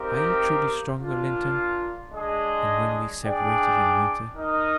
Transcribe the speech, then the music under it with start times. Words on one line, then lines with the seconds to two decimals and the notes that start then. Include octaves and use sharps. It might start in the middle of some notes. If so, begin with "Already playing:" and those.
Are you truly stronger, Linton, than when we separated in winter?
Already playing: C4 D#4 G4 A#4 F5
0.99 A#3 D4 F4
2.10 G#3 D4 G#4 D#5
3.23 D4 G#4 D5 G5
4.35 D#4 A#4 D#5